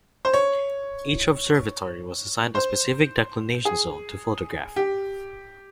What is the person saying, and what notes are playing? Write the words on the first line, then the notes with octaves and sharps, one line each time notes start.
Each observatory was assigned a specific declination zone to photograph.
C5
C#5
C5
G#4
G4